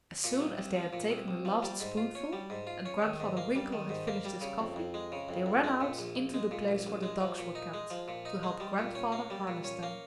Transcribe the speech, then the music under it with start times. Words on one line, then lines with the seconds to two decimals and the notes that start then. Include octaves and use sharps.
As soon as they had taken the last spoonful, and Grandfather Winkle had finished his coffee, they ran out into the place where the dogs were kept, to help Grandfather harness them.
0.24 A#2
0.40 C2
0.58 C2
0.76 F3
0.93 A#2
1.10 C2
1.28 C2
1.45 F3
1.63 G3
1.80 G#2
1.97 F4
2.15 C#4
2.33 G3
2.50 G#2
2.67 F4
2.85 C#4
3.02 D#3
3.20 G#2
3.37 A#3
3.55 G3
3.73 D#3
3.89 G#2
4.07 A#3
4.25 G3
4.41 C#3
4.59 F2
4.76 F2
4.94 G#3
5.12 C#3
5.29 F2
5.46 F2
5.64 G#3
5.81 A#2
5.99 A#1
6.16 A#1
6.34 G#3
6.51 A#2
6.68 A#1
6.86 A#1
7.03 G#3
7.20 F3
7.38 A#2
7.55 D#4
7.74 G#3
7.90 F3
8.08 A#2
8.25 D#4
8.43 G#3
8.60 G3
8.78 A#2
8.95 C#4
9.12 A#3
9.30 G3
9.47 A#2
9.64 C#4
9.83 A#3